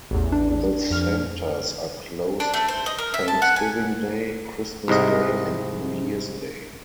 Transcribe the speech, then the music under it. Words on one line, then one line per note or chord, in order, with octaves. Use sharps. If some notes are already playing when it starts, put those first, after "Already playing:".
The centers are closed Thanksgiving Day, Christmas Day, and New Years Day.
A1 E2
D4
F2 F6
D4
A3
C5
D#5
A#4
E5
A5
F#5
G#5
C2 G#2 C3 D#5